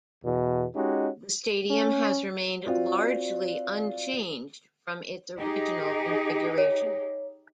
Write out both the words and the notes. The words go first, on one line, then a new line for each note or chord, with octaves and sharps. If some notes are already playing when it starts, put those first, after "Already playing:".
The stadium has remained largely unchanged from its original configuration.
E2 B2
G#3 C#4 D#4 F#4 G4
C#4
C4 F4 F#4 D5
D#4 G4 G#4
C#5